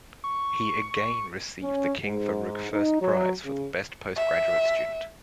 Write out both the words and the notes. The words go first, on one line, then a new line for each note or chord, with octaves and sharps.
He again received the King Farouk First Prize for the best postgraduate student.
C#6
C#4
G#2
D#4
F#3
C#3
E5